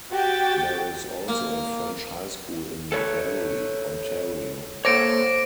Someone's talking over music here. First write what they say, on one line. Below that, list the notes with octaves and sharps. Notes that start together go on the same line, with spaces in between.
There is also a French High school in Barrie, Ontario.
F#4 G4 G5 A6
A#3
A4 B4 C#5
A#3 A4 C5 C#5 D6 A#6 D7